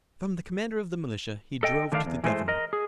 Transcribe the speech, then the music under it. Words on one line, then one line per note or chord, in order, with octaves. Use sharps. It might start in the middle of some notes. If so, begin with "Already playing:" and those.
From the commander of the militia he drove to the governor.
A4 D#5 G5
D3 D#3 A3 D4 D#5 F5
E2
E3 G#3 A3 G#4 C5
A#4 D#5
G#4